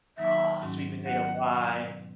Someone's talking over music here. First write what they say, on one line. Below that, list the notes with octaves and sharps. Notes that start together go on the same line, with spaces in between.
Oh, sweet potato pie.
D#3 F#3 A#3 D#4 E5
G#2 D#3 F#3 C#4 F#4
D#3 F#3 B3 E4 F#5
B2 F#3